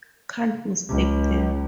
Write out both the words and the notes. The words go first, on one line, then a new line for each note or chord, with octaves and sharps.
Can't mistake them.
C#2